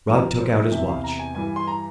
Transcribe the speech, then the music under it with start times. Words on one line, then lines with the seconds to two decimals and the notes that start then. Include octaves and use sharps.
Rod took out his watch.
0.07 F2 E3 A#4
0.40 C5
0.61 E5
0.71 E2 C3 E3 E5
0.88 F5
1.04 A#5
1.20 G#5
1.35 G2 E3 G#5
1.56 C6
1.68 A#5